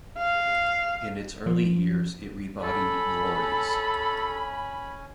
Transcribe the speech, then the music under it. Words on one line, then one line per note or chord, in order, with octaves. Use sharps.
In its early years it rebodied lorries.
F5
F3
C#4 A4 G#5 B5